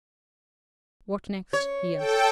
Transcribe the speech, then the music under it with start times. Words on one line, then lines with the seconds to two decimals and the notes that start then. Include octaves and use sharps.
"What next?" he asked.
1.53 C#5
1.97 A4 G5